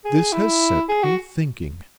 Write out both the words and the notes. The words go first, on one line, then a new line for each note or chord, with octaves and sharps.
This has set me thinking.'
G#4
E4
G#4
F#4